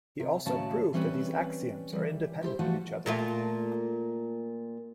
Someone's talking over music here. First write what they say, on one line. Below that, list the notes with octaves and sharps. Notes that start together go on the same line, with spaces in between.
He also proved that these axioms are independent of each other.
C3
D#2 A2 C#3 F#3 C#4 A5
E3 G3 C4 C#4 B4
E3 G3
E4 G4 A4 C5
E3 F3 G3 A3 F#4
A#2 A3 F4